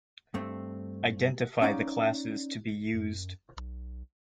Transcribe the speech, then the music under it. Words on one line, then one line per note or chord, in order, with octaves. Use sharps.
Identify the classes to be used.
G2 A3 C4
C#4 D#4 D5 F5
F#2
B1